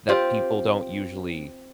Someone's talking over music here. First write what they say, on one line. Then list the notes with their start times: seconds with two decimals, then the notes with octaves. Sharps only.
that people don't usually
0.09 C4 F4 G4